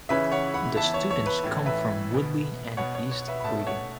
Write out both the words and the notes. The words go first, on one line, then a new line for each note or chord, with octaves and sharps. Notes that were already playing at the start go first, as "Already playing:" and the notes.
The students come from Woodley and East Reading.
C#3 E3 C#4 B4 E5
C#5 F#5
F#5 B5
E3 B3 E5 A5
C#5
C#5
B4
A2 E3 A3 C#4
B4 E5
B2 B3
B2 B3 C#5 F#5
C#5
C#5
B4 E5
B5
B2 A3 C#4 E5 A5
C#5 F#5